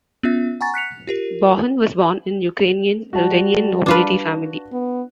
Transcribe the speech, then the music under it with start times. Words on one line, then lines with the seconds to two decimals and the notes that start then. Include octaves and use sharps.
Bohun was born in Ukrainian-Ruthenian nobility family.
0.23 B3 C#4 F4 E5
0.61 F#5 G#5 A#5 C#6 A6
0.74 F#6 B6 C#7 F7
1.07 F4 G4 A#4
3.13 G3 F#4 A5
3.86 D4 F4 B4
4.72 B3